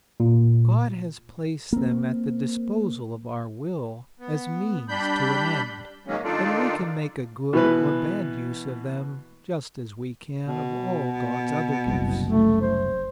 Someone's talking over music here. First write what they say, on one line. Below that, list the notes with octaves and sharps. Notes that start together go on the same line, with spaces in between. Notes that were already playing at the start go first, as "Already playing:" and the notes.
God has placed them at the disposal of our will as means to an end, and we can make a good or bad use of them just as we can of all God's other gifts.
A#2
A#3 C4
B3
G3 D4 B5 G6
G#2 D#3 F#3 G#3 A#3 C#4
D#3 D4 D#4 F4 A4 D5
B2 E3 B4
B2
F#1 C2
A3
C5